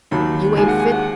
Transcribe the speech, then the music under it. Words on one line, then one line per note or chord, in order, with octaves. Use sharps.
"You ain't fit."
D#2 D#3 F#3 B5
D#2 D#3 G#3 G#5
F#5
G#5
F#5